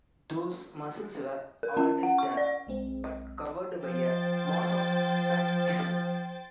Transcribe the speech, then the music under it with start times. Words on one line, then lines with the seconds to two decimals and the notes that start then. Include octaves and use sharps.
Those muscles were always there but covered by a mass of fat tissue.
1.63 A#4
1.77 C#4
2.03 F#5
2.18 C#6
2.37 D5
2.67 B1 G#3 C4
3.81 F3 C5 G5 A6